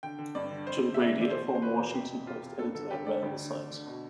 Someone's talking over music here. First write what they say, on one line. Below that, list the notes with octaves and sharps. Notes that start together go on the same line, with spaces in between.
Jim Brady, a former "Washington Post" editor, ran the site.
D3 G5
D3
G2 D5
D3
F2 C5
F2
E5
C3 D5
E3
D5
B2 C5
B2
C5
B2 B4
E2
C2 G4
C2
C2 F4
C2
G2 A4
D3 A4
D3 G4
D3 D5
D2
D3
D2
D3
B2